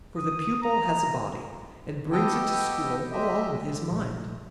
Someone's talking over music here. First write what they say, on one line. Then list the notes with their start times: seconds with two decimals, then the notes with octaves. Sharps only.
For the pupil has a body, and brings it to school along with his mind.
0.18 D#6
0.62 A#5
2.12 B3 G4 A4 D#5 G5
3.12 G#3 G4 D#5 E5
3.90 A#1